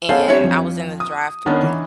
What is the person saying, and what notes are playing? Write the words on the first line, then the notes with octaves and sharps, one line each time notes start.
and I was in the drive-through,
B3 C#4 G#4 A4 C5 F5
C4 D4 E4 G4 C#5
F2 F3
D#6
D#3 B3 C#4 D4
E3